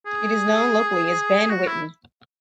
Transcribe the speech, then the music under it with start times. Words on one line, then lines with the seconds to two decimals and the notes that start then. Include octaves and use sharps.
It is known locally as "Ben Whitton".
0.06 G#4
1.49 F#4
1.67 E4